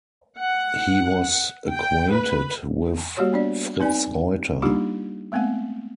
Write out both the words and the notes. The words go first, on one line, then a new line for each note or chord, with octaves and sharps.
He was acquainted with Fritz Reuter.
F#5
G5
B4
G3 A#3 F#4 G4 C#5
B3 D4 D5
C4 D#4 B4 D5 G#5
G3 A#3 D4 D#4 F4 G4
G#3 A3 B3 C4 F#5